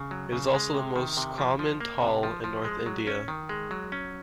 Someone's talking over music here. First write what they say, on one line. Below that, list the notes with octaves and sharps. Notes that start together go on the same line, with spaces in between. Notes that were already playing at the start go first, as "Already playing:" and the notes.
It is also the most common tal in North India.
Already playing: C#3
F#3
C#3
G#3
C3
D#3
C3
F3
F3
A#3
C3
F3
F3
G#3
F#3
C#4
D#3
G#3
F#3
C#4